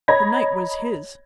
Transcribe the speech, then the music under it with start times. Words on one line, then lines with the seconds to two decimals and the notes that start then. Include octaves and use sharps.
The night was his.
0.08 C#5 D#5 A#5 B5 G#6 A#6